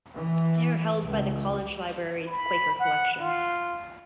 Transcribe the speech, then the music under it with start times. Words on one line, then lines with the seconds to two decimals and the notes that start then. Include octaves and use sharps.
They are held by the college library's Quaker Collection.
0.16 E3
1.02 C#2
2.27 B5
2.79 F#5
3.19 F4